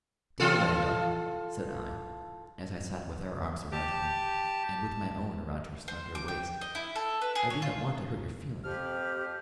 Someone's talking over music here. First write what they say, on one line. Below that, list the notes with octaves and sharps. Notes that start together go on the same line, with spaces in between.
"Dear Layelah," said I, as I sat with her arms around me, and with my own around her slender waist, "I do not want to hurt your feelings."
E3 F4 A4
G4 A5
C5
D6
G5
D#5
E4
A4
B4
G#4
C#5
F4
F2 F3 G4 F6